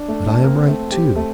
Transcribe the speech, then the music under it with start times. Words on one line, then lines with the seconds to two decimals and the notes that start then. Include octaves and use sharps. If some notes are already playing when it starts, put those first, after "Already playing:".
'But I am right, too.
Already playing: D4
0.08 A3 A4
0.26 A3 A4
0.44 A#3 C4 A#4
0.68 A3 A4
0.91 G3 G4
1.15 A3 A4